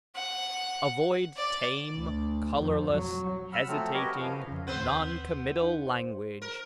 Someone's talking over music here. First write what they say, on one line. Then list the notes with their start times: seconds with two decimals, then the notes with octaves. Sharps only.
Avoid tame, colorless, hesitating, non-committal language.
0.15 F#5
1.37 D5
1.95 D2
2.59 F2
2.92 F#3
3.53 F#5 B5 E6 F6
3.68 F3 F#3 A3 C4
3.94 F#4 G4 A#4 B4 C#5 D#5
4.18 F#2 C#3 F3 F5
4.47 F2 C#3
4.67 D#2 B3 C4 B4 C5 E6
5.62 D#4
5.87 C5
6.42 A#4